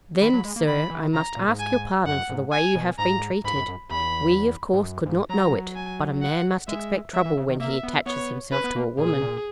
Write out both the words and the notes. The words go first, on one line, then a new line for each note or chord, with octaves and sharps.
"Then, sir, I must ask your pardon for the way you have been treated. We, of course, could not know it, but a man must expect trouble when he attaches himself to a woman."
D#3 B5
F#3
G#3
A#3
D#3 B5
E3
C#3 A#5
A#2
G#2
G#5
F#2 F#5
G#2
G#5
B2
G#2 A#5
G#2 B5
F#2
F#2
E2 B5
G#2
F#2
G#2
F#3 A#5
G#5
F#5
G#3 E5
F#3 E5
E3
C#3
D#3
A#3 E5
B3
B3 C#5
C#4 B4
B3
A#3
A#2 G#4
B2
A#2